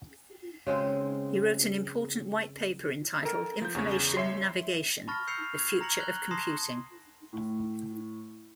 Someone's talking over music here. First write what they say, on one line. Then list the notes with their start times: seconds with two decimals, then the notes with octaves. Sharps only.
He wrote an important white paper entitled "Information Navigation: The Future of Computing".
0.67 C#3 G#3 C4
3.23 A4 A#4
3.62 F3 G6
3.75 E2 C#3 C#6
4.17 C#5 E5 C6
5.08 A5 B5 C#6 F6 A6 A#6
5.27 E6 G6 C7 C#7 F7
5.57 G#6 F7
5.81 A#5 A#6 C#7 F#7
6.00 F#6 G#6 F#7 G7
6.31 A5 C6 D#6 A#6 C7 E7
7.33 A2